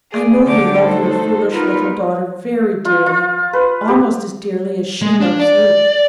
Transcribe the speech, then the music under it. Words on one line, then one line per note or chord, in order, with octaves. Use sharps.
"I know you love your foolish little daughter very dearly; almost as dearly as she loves you."
G#4 D5
D3 F3 D4 G4 C#5 D6
A3 D#4 F#4 A4 C5
B3 D#4 F4 A#4 B4
F4
F4
B4
G4
G#3
D4
D5